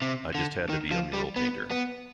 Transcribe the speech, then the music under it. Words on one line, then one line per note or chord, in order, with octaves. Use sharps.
I just had to be a mural painter.
C3
D3
D#3
F3
G3
B3
B3